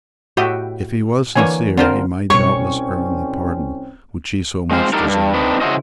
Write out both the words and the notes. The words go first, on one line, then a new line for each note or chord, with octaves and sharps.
If he was sincere, he might doubtless earn the pardon which he so much desired.
A2 F#4 G4 D#5 E5 G5
D3 E3 A#3 C#5 G#5
D3 C4 F4 A#4 C5
C2 B2 G3 C4 C#4 C#5 C#6
G#3 C4 F4 C5
D3 G3 D4 D#4 A4 A#4
G2
C4 D4 D#4 B4
C#3 E4 F#4 C5 D#5